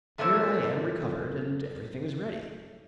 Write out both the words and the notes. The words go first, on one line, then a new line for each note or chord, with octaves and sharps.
"Here I am recovered and everything is ready."
F#2 A3 A#3 A#4 C5 C#5